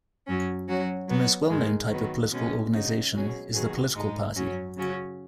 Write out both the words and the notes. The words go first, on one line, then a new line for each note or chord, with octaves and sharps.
The most well known type of political organisation is the political party.
F#2 F#3 C#4
F#3 C#4 F#4
F#3 B3 F#4
G#2 D#3 G#3
D#3 F#3 B3
B2 G#3 C#4
C#3 G#3 D#4 F#4
B2 F#3 C#4 G#4
D#3 F#3 B3 G#4
G#2 G#3 D#4
F#2 F#3 C#4
C#3 F#3 C#4